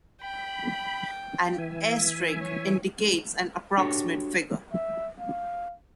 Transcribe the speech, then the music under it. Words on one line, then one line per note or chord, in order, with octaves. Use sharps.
An asterisk indicates an approximate figure.
G5 B5
E3 E5 G#5
C#5
D4 F#4 G4 A4 C#5
E5
F5